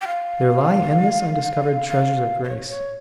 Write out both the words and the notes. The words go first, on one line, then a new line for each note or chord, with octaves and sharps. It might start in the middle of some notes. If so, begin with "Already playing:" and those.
There lie endless undiscovered treasures of grace.
G5
F5
F5
C5
C#5
C#5